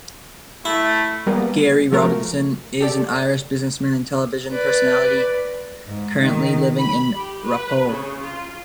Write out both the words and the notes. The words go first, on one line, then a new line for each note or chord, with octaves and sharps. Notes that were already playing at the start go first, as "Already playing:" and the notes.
Gerry Robinson is an Irish businessman and television personality currently living in Raphoe.
A3 E4
G3 A#3 B3 G#4
F3 A3 F#4 A#4
G4 A4 D5
B4 D5
G#2
D#3
B5
G4
B4
C#3
F4